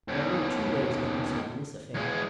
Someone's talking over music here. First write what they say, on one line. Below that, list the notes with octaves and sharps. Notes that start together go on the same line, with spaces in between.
There are no two ways of reasoning in this affair.
D#2 B2
E2 G#3